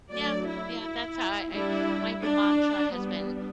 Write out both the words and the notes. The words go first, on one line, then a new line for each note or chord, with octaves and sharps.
Yeah, yeah, that's how I I my mantra has been,
F#3 A3 D4 D5
E4
E4
G3 D4 E4
D4
G3 B3 D4